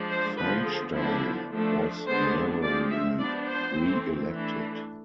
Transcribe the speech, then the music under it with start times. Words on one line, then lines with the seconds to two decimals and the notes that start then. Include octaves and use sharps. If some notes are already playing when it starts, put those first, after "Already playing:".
Feinstein was narrowly re-elected.
Already playing: F3 G#3 D4
0.11 C5
0.38 D3 F3 B3 B4
0.66 G#4
0.94 D3 F3 B3 D4 E4
1.51 F3 A3 D4
2.07 D3 G#3 B3 D4 C5
2.63 F3 G#3 C4 D5
2.91 E5
3.19 F3 B3 D4 D5
3.48 C5
3.76 E3 A3 C4
4.32 E3 A3 D4